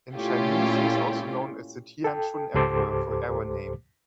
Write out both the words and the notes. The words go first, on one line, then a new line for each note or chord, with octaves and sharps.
In Chinese he is also known as the Tianshun Emperor for era name.
A#2 A3 C#4 E4 F4 G4
A4 G5
C#2 G#2 G4 A4 C5 D6